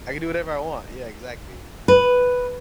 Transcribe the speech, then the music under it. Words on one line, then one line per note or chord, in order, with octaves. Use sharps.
I can do whatever I want, yeah, exactly.
B4